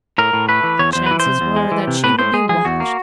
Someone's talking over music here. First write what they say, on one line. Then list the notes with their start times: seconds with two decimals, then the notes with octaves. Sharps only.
The chances were that she would be watched.
0.18 A2 A#4
0.33 A2
0.48 A3 B4
0.64 E3
0.79 E2 C#5
0.93 E2 C5
1.06 E3 B4
1.20 C5
1.26 C3
1.41 E2
1.56 G#3
1.72 E3
1.87 C3
2.04 A2 B4
2.19 A2 C5
2.34 G#3 G#4
2.49 F3 G#4
2.65 E2 F#4
2.80 A#3